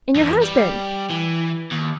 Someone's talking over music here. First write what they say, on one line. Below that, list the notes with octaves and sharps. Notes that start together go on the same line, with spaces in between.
And your husband?
F2 E3
G3
E3
D#2